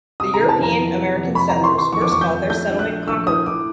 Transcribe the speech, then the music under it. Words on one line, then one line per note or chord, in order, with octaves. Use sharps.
The European-American settlers first called their settlement Concord.
C3 D#6
A#5
E3
A5
F2 A#5
E3
C3
F2
C3 B5
A#5
E3
C6
E3 C6
F2 C#6
D6
F2 C#6
G6
F2
A3 G6
A#1
F#6
A3
A#1 E6
A2 D#6
A2 D6